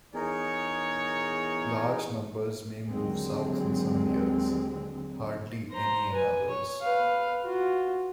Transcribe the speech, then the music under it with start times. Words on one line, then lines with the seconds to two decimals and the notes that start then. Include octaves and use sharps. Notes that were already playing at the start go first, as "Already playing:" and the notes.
Large numbers may move south in some years; hardly any in others.
0.14 E2 D#4 G#4 A#4 C#5
2.88 D#2 D3 F#3 G#3 C4
5.72 C5 A#5
6.14 B4 G#5
6.49 C#5
6.81 B4 F5
7.44 F4 F#4